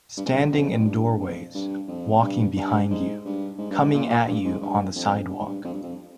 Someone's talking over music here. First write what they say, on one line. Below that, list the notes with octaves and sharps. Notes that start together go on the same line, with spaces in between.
Standing in doorways, walking behind you, coming at you on the sidewalk.
G2
F2
G2
F2
F2
G2
F2
G2
F2
G2
G2
G#2
G2
G#2
G2
G#2
A#2
A#2
G2
G#2
G2
F2
G2
G#2
G2
F2
G2
F2